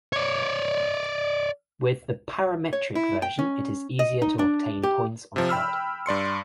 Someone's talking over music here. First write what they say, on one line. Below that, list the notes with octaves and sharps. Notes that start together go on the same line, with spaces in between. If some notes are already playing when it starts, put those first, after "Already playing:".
With the parametric version it is easier to obtain points on a plot.
C#5 D5
C#5
E4
G5
C#4
D#5
D#4
D4
G4
C3 F3
G5 B5 E6 F6
G2 D5 C6 C#7